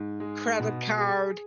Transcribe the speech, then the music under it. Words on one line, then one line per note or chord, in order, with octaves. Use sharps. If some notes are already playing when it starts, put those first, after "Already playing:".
credit card
Already playing: G#2
G#3
B2
G#4